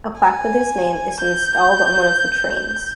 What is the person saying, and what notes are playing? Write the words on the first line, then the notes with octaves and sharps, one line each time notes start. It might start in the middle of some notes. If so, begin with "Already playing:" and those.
A plaque with his name is installed on one of the trains.
G#5
G6